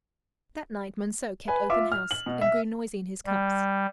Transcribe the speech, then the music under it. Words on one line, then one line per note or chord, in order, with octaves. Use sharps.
That night Monceux kept open house and grew noisy in his cups.
B4 G#5
F4 E5 D6
F6
F#7
B2
E5
G3